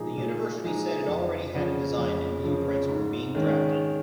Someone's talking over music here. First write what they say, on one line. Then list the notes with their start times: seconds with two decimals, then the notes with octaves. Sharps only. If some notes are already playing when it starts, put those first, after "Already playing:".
The university said it already had a design, and blueprints were being drafted.
Already playing: A#2 F3 G#3 D#4 G#4
0.17 A#2
0.63 F3 G#3 D#4 G#4
1.07 F2
1.54 C#3 F3
1.98 F2
2.44 C#3 F3
2.89 G#2
3.35 D#3 G#3 C#4